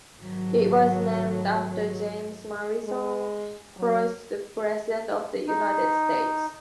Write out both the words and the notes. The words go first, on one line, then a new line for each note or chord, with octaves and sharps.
It was named after James Madison, fourth President of the United States.
G#1 F#3
G#3
F#3
D#4